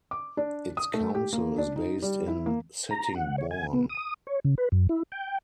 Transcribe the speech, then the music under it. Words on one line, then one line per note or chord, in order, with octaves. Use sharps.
Its council is based in Sittingbourne.
D6
D4
D#6
A3
G4
A#3
D4
D#4
G3
E4
A#3
A#5
F#5
C#5
G#5
B3
D#6
C#5
C#3
B4
F#2
E4
G5